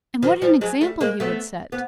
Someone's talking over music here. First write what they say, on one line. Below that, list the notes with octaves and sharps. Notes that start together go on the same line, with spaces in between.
And what an example he would set!
D#3 F3
F3 G3
F#3 G#3
G3 A3
G#3 A#3
A3 B3
B3